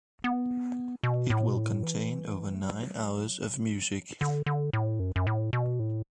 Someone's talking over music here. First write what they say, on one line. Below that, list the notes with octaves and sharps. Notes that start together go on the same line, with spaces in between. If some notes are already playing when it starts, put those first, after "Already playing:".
It will contain over nine hours of music.
B3
B2
A2
B2
A2
E3
A3
F#3
D3
D3
A2
F#2
F#2
A2
B2
A2